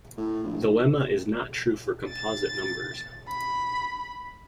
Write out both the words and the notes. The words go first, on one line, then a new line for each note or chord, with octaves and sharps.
The lemma is not true for composite numbers.
A2
A#1
D#2
A6
B5